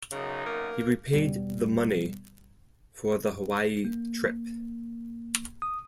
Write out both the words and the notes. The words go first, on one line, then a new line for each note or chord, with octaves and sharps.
He repaid the money for the Hawaii trip.
B1 F#2 C#3 D#4
A#3
E2 B2 G3 B3
A#3
D#6